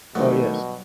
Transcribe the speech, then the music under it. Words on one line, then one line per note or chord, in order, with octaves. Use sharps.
Oh, yes.
G2 B2 D#3 F#3 A3 B3